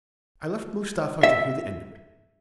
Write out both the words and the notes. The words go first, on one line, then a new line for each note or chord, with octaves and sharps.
I left Mustapha to hear the end of it.
E5